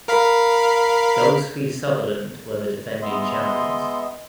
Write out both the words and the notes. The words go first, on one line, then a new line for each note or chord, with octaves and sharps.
Golspie Sutherland were the defending champions.
A#4 F5 B5
G#3 B3 D#5 E5 C6